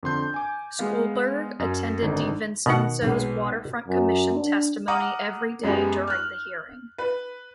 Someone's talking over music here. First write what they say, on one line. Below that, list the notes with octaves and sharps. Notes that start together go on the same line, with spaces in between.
Schulberg attended DeVincenzo's waterfront commission testimony every day during the hearing.
F2 D3 C6 G6
G#5 D6
G#3 B3 B4 F5
F#2
G#1 D3 D#4
B2 D#3 F#5
B1 G#3 B3
F#2
D4
F#5 A#5 D6 D#6 F6
F#2 G#3 B3 G4
F6 F#6
B4